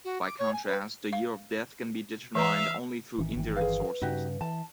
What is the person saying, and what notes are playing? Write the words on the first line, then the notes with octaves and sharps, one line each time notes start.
By contrast, the year of death can be determined only through indirect sources.
F#4
D6
C#5
G#5
B4
F5
E3 B4 E5 F5 A#5
A1 D#3 E3
G1 D#3 E3
G#4 B4 F5
G2 C#3 D#4 F#4 G4
E3 A5